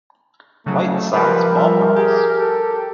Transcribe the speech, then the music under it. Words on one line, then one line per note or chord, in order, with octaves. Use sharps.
White Sox Ballparks.
C#3 F#3 A3
F3 G3 A#4 B4
E5
G4 G#4
A4